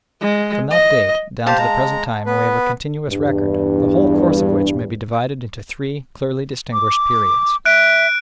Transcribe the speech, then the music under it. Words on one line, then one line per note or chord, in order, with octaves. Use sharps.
From that date down to the present time we have a continuous record, the whole course of which may be divided into three clearly distinguished periods.
G#3
D#5
G4 C5 F5 A5
G#3 A#5
B3 B4
E2 G2
D6
E5 F#6 D7